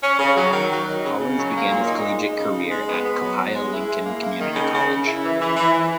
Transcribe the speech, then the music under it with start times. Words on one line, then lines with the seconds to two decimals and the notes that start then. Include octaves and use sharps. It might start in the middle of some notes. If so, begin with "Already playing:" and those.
Hollins began his collegiate career at Copiah–Lincoln Community College.
0.03 C#4
0.19 C#3
0.37 F#3
0.53 D#3
0.70 F#3
0.87 D#3
1.04 C#3
1.20 C#3
1.37 F#3
1.55 A#3
1.70 A#2
1.88 D#4
2.05 G#3
2.21 D#4
2.38 C#3
2.54 D#4
2.71 G#3
2.88 B3
3.04 B3
3.22 F#3
3.38 B3
3.55 G#3
3.72 E4
3.89 G#3
4.05 A#3
4.22 A#3
4.39 D#3
4.56 C#3
4.73 C#3
4.90 C#3
5.05 E4
5.23 E3
5.40 E3
5.56 E3
5.74 E3